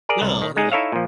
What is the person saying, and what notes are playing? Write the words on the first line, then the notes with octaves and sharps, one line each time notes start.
No, no.
G#4 A#4 D5
C2
D#3
G#3 D#4 G#4
D#4 E4 A4 C#5 E5 F5
A#2 F3